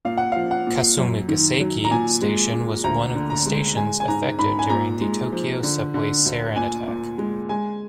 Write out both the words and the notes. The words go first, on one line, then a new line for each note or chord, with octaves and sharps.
Kasumigaseki Station was one of the stations affected during the Tokyo subway sarin attack.
A#2 F5
F#5
F5
F3
F#5
A#2
F#2
D#3
F#3
A#5
A#2 G#5
G#3
A#2
D2 A#5
D3
A#5
G#3
G#3 G#5
G#5
G#2 A#5
G#2 B5
G#5
A#2 A#5
G#3
F3
D3
D3
D2
A#2 G#5
A#2
G#3
G#3 G#5